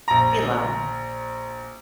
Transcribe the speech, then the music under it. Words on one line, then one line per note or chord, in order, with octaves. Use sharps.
We love 'em.
A#1 A#5